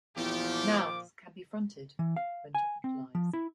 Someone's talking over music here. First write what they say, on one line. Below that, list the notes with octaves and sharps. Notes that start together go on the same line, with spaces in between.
Nouns can be fronted when topicalized.
E2 A#2 F3 A3 G4
D6
E3
F5
G#5
C4
F3
E4